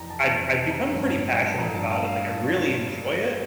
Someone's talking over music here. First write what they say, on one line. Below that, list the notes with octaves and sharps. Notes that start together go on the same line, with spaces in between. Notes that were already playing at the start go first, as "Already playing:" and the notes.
I've I've become pretty passionate about it, like I really enjoy it,
Already playing: F1 F2 E3 G5 A#5
A5
F1 F2 E3
A5
A#5
G1 G2 F3 A3
A5
G1 G2 F3 A3 A#5
A5
F5
F5